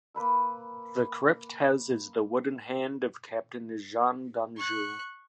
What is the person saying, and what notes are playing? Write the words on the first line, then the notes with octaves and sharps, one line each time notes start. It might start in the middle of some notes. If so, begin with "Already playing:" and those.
The crypt houses the wooden hand of Captain Jean Danjou.
A#3 B4 B5 E6
C#6 F#6